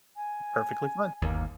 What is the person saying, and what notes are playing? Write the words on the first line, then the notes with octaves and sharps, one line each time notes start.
Perfectly fine.
G#5
G1 D#2 A#3